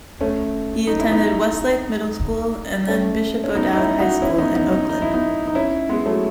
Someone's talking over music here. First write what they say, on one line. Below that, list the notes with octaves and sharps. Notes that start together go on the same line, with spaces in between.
He attended Westlake Middle School and then Bishop O'Dowd High School in Oakland.
A3 C#4
D#4
E4
B3 D#4
A3 C#4
C#4
B3 D#4
D#4
C#4 E4
D#4 F#4
C#4 E4
B3 D#4
B3 D#4
B3 D#4
D#4
E4
B3 D#4
D#4
C#4 E4
G#3 B3
F#3 A3